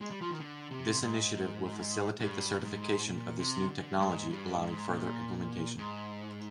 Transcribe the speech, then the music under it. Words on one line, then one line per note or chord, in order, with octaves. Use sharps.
This initiative will facilitate the certification of this new technology allowing further implementation.
G#3
G3
F3
D#3
D3
C3
G#2
G2
G2
G#2
A#2
C3
D3
G#2
G2
G#2
A#2
G#2